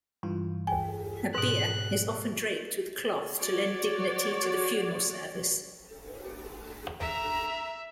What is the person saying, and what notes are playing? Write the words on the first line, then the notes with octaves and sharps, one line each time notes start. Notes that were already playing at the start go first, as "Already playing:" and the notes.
A bier is often draped with cloth to lend dignity to the funeral service.
G2 E3 F4 C6
G5 G#5
G#2 B2 B4 F#6
F#4 C#5 D5
E5 A#5